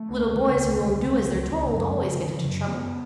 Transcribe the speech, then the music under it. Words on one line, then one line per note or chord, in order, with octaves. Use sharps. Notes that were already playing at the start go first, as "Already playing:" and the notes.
Little boys who won't do as they're told always get into trouble.
Already playing: A3
C#2
C#3
C#2
C#2
C#3
C#2
C#2
F#2
C#3
C#3
F#2
F#2 B3